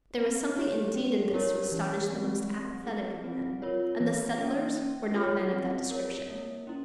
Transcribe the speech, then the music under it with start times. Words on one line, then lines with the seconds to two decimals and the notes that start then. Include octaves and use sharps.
There was something indeed in this to astonish the most apathetic of men, and the settlers were not men of that description.
0.19 C4
0.57 G4 C#5
0.95 C#4
1.34 E4 G4 A#4 C#5
1.72 E3
2.10 G#3 C4
2.48 C4
2.86 E4 G#4
3.24 C4
3.62 F4 A#4 C#5
4.00 E3
4.39 A#3 C#4
4.77 C#4
5.14 F4 G#4 C#5
5.53 C4
5.90 E4 A#4 C#5
6.29 A#3
6.67 C#4 E4